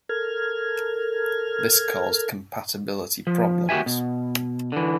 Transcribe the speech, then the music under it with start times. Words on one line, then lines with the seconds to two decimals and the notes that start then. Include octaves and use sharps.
This caused compatibility problems.
0.09 A4 A#4 F6 G#6
3.27 F3
3.69 D#2 F#4 G4 E5 G#5
3.86 B2
4.72 D3 E3